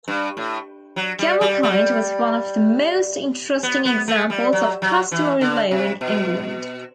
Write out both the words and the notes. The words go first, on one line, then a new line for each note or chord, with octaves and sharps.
Gavelkind was one of the most interesting examples of customary law in England.
G2
A2
F#3
G3
G3
G3
B3
B3
A3
G3
F#3
F#3
E3
D3
C3
B2